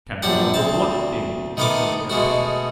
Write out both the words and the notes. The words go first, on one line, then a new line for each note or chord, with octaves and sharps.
'Can't remember WHAT things?' said the Caterpillar.
A#1 F#2 D4 G4 F#5
D2 C4 A5
D#3 A3 B3 A#4 C6 D6
B2 G#3 A3 F#4